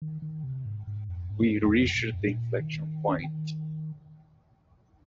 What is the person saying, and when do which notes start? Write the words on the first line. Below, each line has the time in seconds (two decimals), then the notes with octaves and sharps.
We reached an inflexion point.
0.02 D#3
0.22 D#3
0.44 C3
0.65 G#2
0.87 G#2
1.09 F2
1.30 G#2
1.62 F2
1.95 A#2
2.14 F2
2.20 G#2
2.27 A#2
2.60 D#3
3.24 D#3